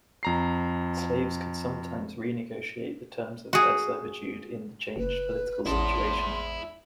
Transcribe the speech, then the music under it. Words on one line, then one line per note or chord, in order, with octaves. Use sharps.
Slaves could sometimes renegotiate the terms of their servitude in the changed political situation.
F2 A#5 C7
F#4 G#4
F#1 B4
A1 E2 G#2 E4 A5 C6